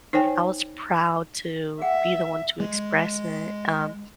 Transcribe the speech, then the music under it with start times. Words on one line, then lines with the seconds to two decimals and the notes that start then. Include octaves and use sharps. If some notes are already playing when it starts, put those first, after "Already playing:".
I was proud to be the one to express it. Um,
0.13 D#4 C5 C#5 G5 G#5
1.81 G#4 E5 F#5 G5
2.60 G#3